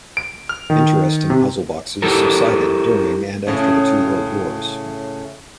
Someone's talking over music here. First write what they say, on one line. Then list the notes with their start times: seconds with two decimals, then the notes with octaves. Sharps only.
Interest in puzzle boxes subsided during and after the two World Wars.
0.17 D7
0.49 F6
0.70 D#3
1.30 C3
2.02 E4 G4 A4 A#4
3.47 A2 C#3